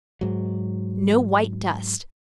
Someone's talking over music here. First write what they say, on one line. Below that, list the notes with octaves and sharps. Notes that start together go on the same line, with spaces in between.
No white dust.
G#2 F#3